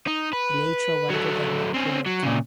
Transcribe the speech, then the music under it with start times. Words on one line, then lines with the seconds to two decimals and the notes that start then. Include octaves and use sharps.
Elytra wider than the pronotum.
0.07 D#4
0.33 B4
1.10 F#3 A3
1.74 C4 C#4
2.06 F#3
2.23 A#2 C#3